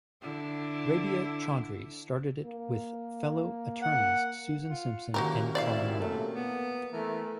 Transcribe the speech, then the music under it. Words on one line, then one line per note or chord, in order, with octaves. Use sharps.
Rabia Chaudry started it with fellow attorneys Susan Simpson and Colin Miller.
D3 E4
A#3
F#5
F4
F#2 A2 C3 D#3 A#3 F#4 G4 A#4
A#2 E4 D5 E5 F5
A3 A#3
B3
E3 A3 A#4